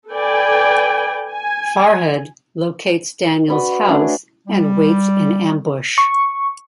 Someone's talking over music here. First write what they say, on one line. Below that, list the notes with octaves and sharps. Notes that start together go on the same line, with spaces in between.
Farhad locates Daniel's house and waits in ambush.
A4 B4 D5 G5 G#5
G#5
F#4 B4 D5
A3 C#4 D4 G#4
G3
C#6